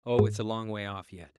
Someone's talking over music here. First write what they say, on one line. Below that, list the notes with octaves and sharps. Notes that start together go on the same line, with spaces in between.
Oh, it's a long way off yet.
G#2